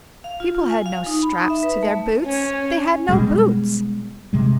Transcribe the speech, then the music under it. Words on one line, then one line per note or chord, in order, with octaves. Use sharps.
People had no straps to their boots, they had no boots.
F5
F4
F4
G#5
F5
D#4
B5
D#4
E5
B4
A3
C#4
B2 G3 G#3
C3 G3 G#3